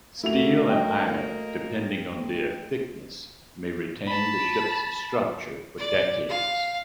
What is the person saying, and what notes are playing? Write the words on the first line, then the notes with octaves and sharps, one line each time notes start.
Steel and iron, depending on their thickness, may retain the ship's structure for decades.
A3 A#3 E4 F#4 A#4 F7
D#5 G5
A5 B5
D5
F5